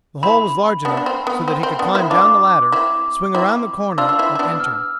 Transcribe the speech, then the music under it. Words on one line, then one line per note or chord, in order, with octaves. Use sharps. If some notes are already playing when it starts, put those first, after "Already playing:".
The hole was large enough so that he could climb down the ladder, swing around the corner, and enter.
C4 E4 B5
B3 D4
D4
C4
B3
C4
C4
B3 D4
C4 E4
D4 F4 D6
C4 E4
C4 E4
D4 F4 E6
D4
C4 E4
E4
B3 D4
F6